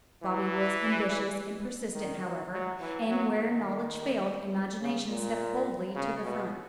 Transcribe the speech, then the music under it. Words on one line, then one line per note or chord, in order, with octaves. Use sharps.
Bobby was ambitious and persistent, however, and where knowledge failed, imagination stepped boldly to the front.
E3
D#3
F#3
F#3
E3
F#3
D#3
C#3
A#2
C#3
B2